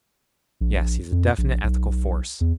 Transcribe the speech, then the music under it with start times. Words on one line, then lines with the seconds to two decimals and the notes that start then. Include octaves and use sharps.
"Yes; he's a definite ethical force."
0.61 A#1
1.12 F2
1.38 A#1
1.64 B1
2.41 E2